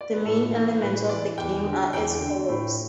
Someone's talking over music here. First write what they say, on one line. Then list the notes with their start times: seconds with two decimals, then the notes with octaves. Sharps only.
The main elements of the game are as follows.
0.01 D5
0.13 B4
0.25 A2 A4
0.54 E3
0.81 A2 B4
1.09 E3 D5
1.38 E2 G5
1.65 D3
1.93 E2 G5
2.21 D3
2.49 A2